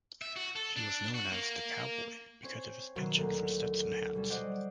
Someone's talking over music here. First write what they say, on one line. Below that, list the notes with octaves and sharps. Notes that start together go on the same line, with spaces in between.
He was known as "the cowboy" because of his penchant for Stetson hats.
E5
F#4
A4
D4
F#4
A#3
C4 C#4 C5 C#5
B2 D#3 F#3 C6
D2 A#2 A#3
B2 G3 C#4 E7
C5 D5 D#5 F#5 G5